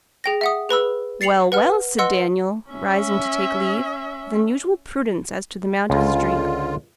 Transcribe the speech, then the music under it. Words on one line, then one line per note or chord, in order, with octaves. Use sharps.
'Well, well!' said Daniel, rising to take leave, with unusual prudence as to the amount of his drink.
G#4 G5 A#6
E5 F#5 D#6
G#4 B4 B5 E6
A6 C7 C#7 F7 F#7
B4 F#5 F6
B4 D#5 F#5 C6 E6 C#7
C#4 E5
C#2 D3 F4